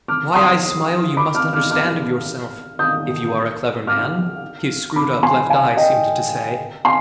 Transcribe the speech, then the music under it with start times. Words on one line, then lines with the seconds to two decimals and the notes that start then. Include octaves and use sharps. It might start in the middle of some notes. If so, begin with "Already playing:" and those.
"Why I smile you must understand of yourself, if you are a clever man," his screwed-up left eye seemed to say.
0.08 D6 F6
0.35 C6 D#6
1.17 B5 D6
1.35 D6 F6
1.53 D6 F6
1.71 D6 F6
2.79 D#6 G6
3.87 D6 F6
4.96 B5 D6
5.23 G#5 C6
5.50 F5 G#5
5.77 D#5 G5
6.85 G#5 C6